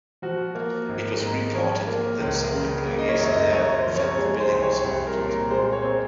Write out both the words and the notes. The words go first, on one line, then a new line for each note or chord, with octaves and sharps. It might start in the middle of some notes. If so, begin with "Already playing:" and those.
It was reported that some employees there felt the building was haunted.
F3 F#4
A#3
G#1
G#2
F3 C#5
A#3
C#2
C#3
A#3
D#5
C#5
F#2
D#5
F#2 C#5
C5
F3
C#5
G#3 C#5
C5
C2
C#5
C2
A#4
A#2
A#4
G#3 C5
C#5
C4